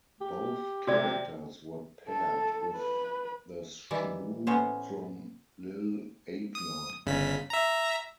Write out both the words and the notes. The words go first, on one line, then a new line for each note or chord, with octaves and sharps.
Both characters were paired with the Shmoo from "Li'l Abner".
G4
C3 F#4 D5
A4
B4
D#3 E3 G3 E4
A2 B3 C#4 C5
D#6
G1 C#3 B6
E5 A#5